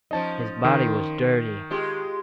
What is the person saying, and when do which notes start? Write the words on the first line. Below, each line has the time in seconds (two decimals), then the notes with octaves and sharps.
His body was dirty.
0.11 F3 C#4 D#4 D#5 A5
0.64 D#3
1.70 G#3 F4 G4